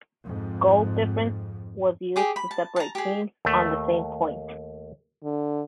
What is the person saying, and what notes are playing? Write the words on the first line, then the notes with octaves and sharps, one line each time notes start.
Goal difference was used to separate teams on the same points.
F2 G#2
G4 G#4 D6
B5
A5
A5 A#5
G4 G#4
D#2 A3
D3